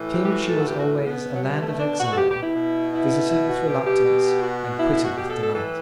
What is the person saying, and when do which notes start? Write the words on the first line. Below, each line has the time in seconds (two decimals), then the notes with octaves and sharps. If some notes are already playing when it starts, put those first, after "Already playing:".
To him she was always a land of exile, visited with reluctance and quitted with delight.
Already playing: A2 E3
0.11 G4
0.25 G4
0.29 F#4
0.48 A4
0.59 F#4
0.67 G4
0.80 F#4
1.05 B2 B3
1.34 F#3
1.42 G3
1.61 A3
1.79 D4
1.99 F#4
2.13 A4
2.17 G4
2.30 G4
2.42 E4
2.55 B2
2.93 E4
3.30 E4
3.49 F#4
3.68 G4
3.87 G4
4.05 B2
4.42 F#4
4.80 E4
4.93 E4
5.04 F#4
5.18 G4
5.30 A4
5.43 A4
5.55 A2 E3 A4